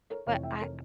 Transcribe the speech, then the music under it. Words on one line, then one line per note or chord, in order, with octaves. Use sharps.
but, I
A#4 C#5
F1 F2 E3 C#5 F5
E5 G5
A#4 C#5